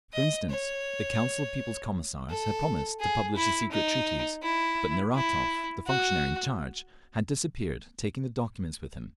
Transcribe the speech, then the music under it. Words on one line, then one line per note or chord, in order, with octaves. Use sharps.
For instance, the Council of People's Commissars had promised to publish the Secret Treaties; but Neratov, the functionary in charge, had disappeared, taking the documents with him.
D#5
C#5
A4
G#4
E4
D#4
E4
E4
F#4